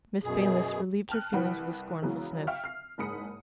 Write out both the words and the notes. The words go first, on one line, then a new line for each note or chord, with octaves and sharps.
Miss Baylis relieved her feelings with a scornful sniff.
F#2 B2 G#4
G5 A5 F6 F#6
C2 E3 B4 F#5 G5 B5
C#3 E3 F#3 G#3 B3
E5 F5 G5 C#6 F6
F6 C7
F#1 G#2 G#4 B5 D#6 C#7